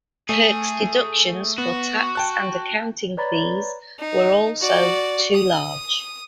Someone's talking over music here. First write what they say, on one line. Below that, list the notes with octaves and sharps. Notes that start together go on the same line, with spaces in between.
Kirk's deductions for tax and accounting fees were also too large.
A3 G#4
B3 F#4
G5 A5 F#6
B4 C#5 D5 A#5 B5 A6
D#4
F#4 D5
D#6